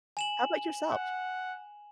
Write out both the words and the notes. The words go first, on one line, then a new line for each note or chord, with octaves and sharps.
How about yourself?
G#5 E7 F#7
F#5